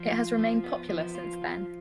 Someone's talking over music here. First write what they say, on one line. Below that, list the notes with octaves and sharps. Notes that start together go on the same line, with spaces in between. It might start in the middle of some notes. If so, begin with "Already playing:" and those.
It has remained popular since then.
Already playing: F3
F4
F3
B3
F3
F4
F3